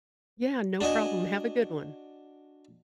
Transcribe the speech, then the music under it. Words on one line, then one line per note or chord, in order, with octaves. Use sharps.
Yeah, no problem, have a good one.
D4 F#4 D#5 G#5